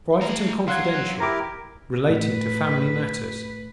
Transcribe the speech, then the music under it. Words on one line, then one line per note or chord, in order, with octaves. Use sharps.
Private and confidential; relating to Family Matters.
A3 A#5
F#3 F5 F#5 C6 G#6
E4 G4 A#4 A#5 D6
A2 B4